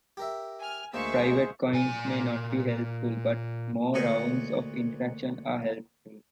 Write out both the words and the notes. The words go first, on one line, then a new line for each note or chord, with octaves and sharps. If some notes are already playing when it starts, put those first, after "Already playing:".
Private coins may not be helpful, but more rounds of interaction are helpful.
G4 A#4 E5
G#5 F6
D2 G#3 A#3 G#4 C5 E5 F5 C#6
A#2 G#5
D2 A#2 F#4 C#5 D#5 F#5